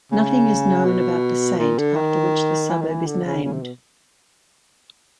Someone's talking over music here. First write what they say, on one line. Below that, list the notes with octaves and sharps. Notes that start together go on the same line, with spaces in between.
Nothing is known about the Saint after which the suburb is named.
C#3
B2
A#2
D3
D#3
E3
D#3
E3
D3
C#3
C#3
C3
B2